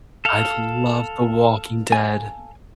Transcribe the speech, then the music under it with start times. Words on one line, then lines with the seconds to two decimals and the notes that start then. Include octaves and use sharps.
I love The Walking Dead.
0.25 A4 F5
1.92 G#5